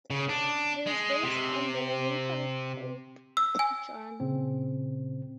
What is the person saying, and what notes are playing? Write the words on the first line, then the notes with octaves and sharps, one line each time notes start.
It is based on the legendary Pope Joan.
C#3
D4
G#3
C3
E6
G#5
A#2 C#3 C4